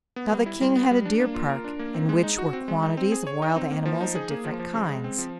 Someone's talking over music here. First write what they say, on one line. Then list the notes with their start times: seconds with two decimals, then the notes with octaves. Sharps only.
Now the King had a deer park in which were quantities of wild animals of different kinds.
0.16 B3
0.32 G3
0.46 E4
0.61 G3
0.76 B3
0.91 G3
1.05 D4
1.20 A#3
1.35 F4
1.49 A#4
1.64 D4
1.79 A#3
1.94 C4
2.09 G#3
2.23 D#4
2.38 F#4
2.53 C4
2.68 G#3
2.83 D#4
2.97 C4
3.12 G#4
3.27 C#5
3.42 D#4
3.56 C4
3.71 A#3
3.85 F3
4.01 D#4
4.15 G#4
4.31 A#3
4.45 F3
4.59 F3
4.74 C#3
4.89 G#3
5.04 C4
5.18 F3